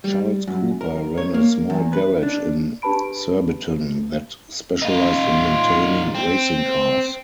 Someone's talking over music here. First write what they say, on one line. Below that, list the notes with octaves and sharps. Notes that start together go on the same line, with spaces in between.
Charles Cooper ran a small garage in Surbiton that specialised in maintaining racing cars.
G3
F#2
A#4
C#5
A#3
E2
B4
D4
D4 G4 B4 A5 B5 D7
D#4 F4
C4